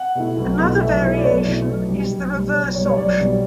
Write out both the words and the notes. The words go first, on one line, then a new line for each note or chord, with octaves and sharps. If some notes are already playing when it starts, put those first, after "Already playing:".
Another variation is the "reverse option".
Already playing: F#5
B2 A3 E4
B1
B2 A3 E4
B1 E5
B2 A3 E4
D5
B1 C#5
B2 A3 E4
B1
B2 G3
B1
B2 G3
B1 C#5
B2 G3 C#5
C#5
B1 D5
B2 G3